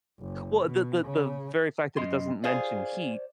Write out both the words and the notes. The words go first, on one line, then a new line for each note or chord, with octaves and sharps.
Well, the the the very fact that it doesn't mention heat
F#1
B2
C#3
F#2 D#5 C6
F4 G#4 C5 D5